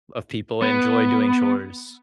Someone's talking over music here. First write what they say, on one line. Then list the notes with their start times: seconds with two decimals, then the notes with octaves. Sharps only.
of people enjoy doing chores.
0.62 B3